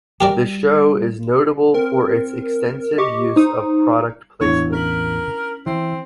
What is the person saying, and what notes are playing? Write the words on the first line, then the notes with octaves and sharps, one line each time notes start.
The show is notable for its extensive use of product placement.
G3 G4 A#4 D5
C4 A#4
G4 D#5 C#6 D6
D#4 C5 D#6
A1 E2 B3 D4 E4 C#5
C#4 A#4 B6 F#7
E3 C4